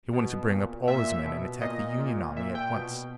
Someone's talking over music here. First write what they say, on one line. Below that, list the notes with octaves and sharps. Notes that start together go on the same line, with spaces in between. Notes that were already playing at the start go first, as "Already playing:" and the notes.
He wanted to bring up all his men and attack the Union army at once.
B2
A#2
A#2 E5
B2
A#2 D#5
A#2
A#2 E5
G5
B2